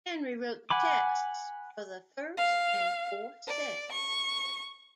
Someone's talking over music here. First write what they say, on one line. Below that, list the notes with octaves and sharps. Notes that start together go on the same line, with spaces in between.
Henry wrote the texts for the first and fourth sets.
F#5 G#5 B5 D6
F5
D5
C#6